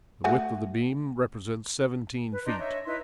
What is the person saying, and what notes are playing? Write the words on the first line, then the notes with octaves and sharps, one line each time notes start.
The width of the beam represents seventeen feet.
A3 F#4 G#5
B4
D4 D#4 A#5 C6
C#5 D#5 E5
D#4 E4 B4 C6